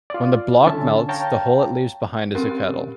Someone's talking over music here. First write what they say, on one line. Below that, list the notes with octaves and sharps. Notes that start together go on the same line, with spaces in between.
When the block melts, the hole it leaves behind is a kettle.
F4 D5
D3 C#4 E5 A5
C#5 F5 G5 A5 A#5
C4 C#4 G4 A#4